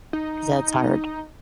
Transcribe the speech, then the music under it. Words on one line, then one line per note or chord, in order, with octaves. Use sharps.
‘cause that's hard.
D#4